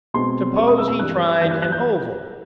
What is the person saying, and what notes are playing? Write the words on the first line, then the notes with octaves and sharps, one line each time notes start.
Suppose he tried an oval.
B2 G#3 C4 C6
B2 G#3 C4 C#6
D#6
E6
E6
G2 E3 G3 F#6
G2 E3 G3 G6
F#6
F#6
G6